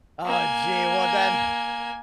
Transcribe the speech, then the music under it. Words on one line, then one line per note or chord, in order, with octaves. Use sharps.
Oh, gee, well, then
A#3 G#5